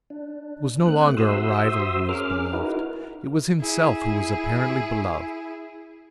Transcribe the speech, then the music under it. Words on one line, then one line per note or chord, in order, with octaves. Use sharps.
It was no longer a rival who was beloved; it was himself who was apparently beloved.
D4
A3 C4 F#6
F#4 C5 E5 C6 D#6 E6
C#4 G#4 A#4 D6 F6
D#4 E4 F#4 A#4 B4
E4 G#4